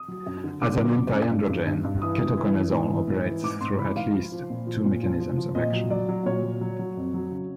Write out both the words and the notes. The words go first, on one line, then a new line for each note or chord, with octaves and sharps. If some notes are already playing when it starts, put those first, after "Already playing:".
As an antiandrogen, ketoconazole operates through at least two mechanisms of action.
Already playing: D#6
F#3
F#2
D3
D3 D6
F#3
F#2
F#2
G2
G2
G2
G2
E3 D#6
G2
E3
E3
G#2
E3
G#2
E3
G#2 D6
G#2 C6
E3 B5
G#2 F5
F3
F3
A#2
F3
A#2
F3
F3
F3
A#2 D#5
F#3
F#3 D5
F#3
A#2 C#5
F#3
F#3
F#3
F2
F#3
C#3